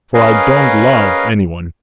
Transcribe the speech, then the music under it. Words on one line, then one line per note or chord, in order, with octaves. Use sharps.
For I don't love any one.
C#4 G#4 A#4 B4 D#5 F5